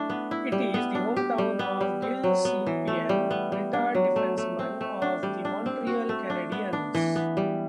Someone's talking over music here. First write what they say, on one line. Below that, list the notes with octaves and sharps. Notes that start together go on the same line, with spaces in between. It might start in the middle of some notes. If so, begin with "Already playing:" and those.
It is the hometown of Gilles Lupien, retired defenceman of the Montreal Canadiens.
Already playing: A3 D4 E4
B3
E4
G3
B3
D4
G4
G3
B3
G3
C4
F#3
B3
E3
A3
G3
B3
G3
D4
F#3
A3
A3
C4
A3
D4
G3
D4
C4
F#4
A3
D4
B3
D4
E3
B3
G3